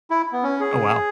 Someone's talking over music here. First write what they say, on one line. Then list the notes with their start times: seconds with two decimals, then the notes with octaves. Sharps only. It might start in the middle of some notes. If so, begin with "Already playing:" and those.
Oh, wow.
0.10 E4
0.33 B3
0.43 C#4
0.60 G#4